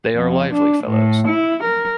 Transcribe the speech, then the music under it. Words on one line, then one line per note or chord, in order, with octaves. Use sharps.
They are lively fellows.
F2
D4
A2
E4
A#4